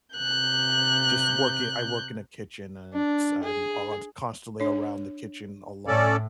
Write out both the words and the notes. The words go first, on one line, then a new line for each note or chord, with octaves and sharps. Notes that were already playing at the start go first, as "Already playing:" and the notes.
just work i I work in a kitchen and s I'm ont constantly around the kitchen a lot
C3 F#6 G6
D4
G#4
D4 C#5
A2 C#4 A4 D5